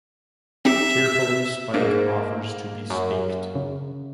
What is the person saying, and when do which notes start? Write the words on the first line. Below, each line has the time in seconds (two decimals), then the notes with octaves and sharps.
Tearfully Spike offers to be staked.
0.65 C4 D#4 G4 E5
1.74 G#2 A#3
2.90 F#2
3.55 C#3